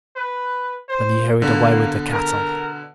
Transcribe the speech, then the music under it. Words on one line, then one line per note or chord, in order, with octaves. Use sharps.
Then he hurried away with the cattle.
B4
C5
B2 D3 A#3
A#4